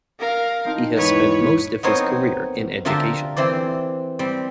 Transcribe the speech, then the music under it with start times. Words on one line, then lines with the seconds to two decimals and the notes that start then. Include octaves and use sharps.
He has spent most of his career in education.
0.19 A#4 F5
0.65 C4 D#4 A4
0.96 E2 G#2 B4 C#5
1.83 B3 C4 D#4 A#4 C5 C#5
2.85 D3 F4 G4 A#4 E5 A5
3.36 E3 C4 C5 D5
4.19 G3 C4